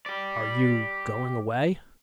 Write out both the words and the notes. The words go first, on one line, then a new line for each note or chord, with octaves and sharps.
"Are you... going away?"
G4 D5